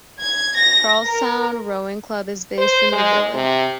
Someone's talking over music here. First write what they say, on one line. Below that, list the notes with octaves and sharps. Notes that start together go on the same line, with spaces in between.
Charlestown Rowing Club is based in the village.
G#6
A#6
A#4
C5
G#3
C3